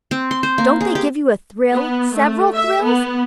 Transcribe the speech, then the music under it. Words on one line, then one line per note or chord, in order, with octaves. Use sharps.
Don't they give you a thrill--several thrills?
C4
C6
C5
A#3
G#4
G4
B3
A3
E5
B3